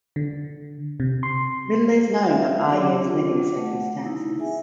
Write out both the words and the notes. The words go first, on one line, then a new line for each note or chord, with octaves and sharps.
Little is known of Ayrer's living circumstances.
D3
C3
C6
E5 F5
F#3 F#4 G4 C#5 D5 D6
F4 D6
A3 F#5
D#4 E4
G#4 E5 G#5